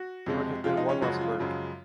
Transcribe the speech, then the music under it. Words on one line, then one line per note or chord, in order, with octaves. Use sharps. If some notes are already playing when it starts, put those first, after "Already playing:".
There would have been one less burden.
Already playing: F#4
F2 C3 F3 G#3
F2 C3 F3 G#3 F4
D#4
C#4
F#2 C#3 F3 G#3 F#4
F4
F#2 C#3 F3 G#3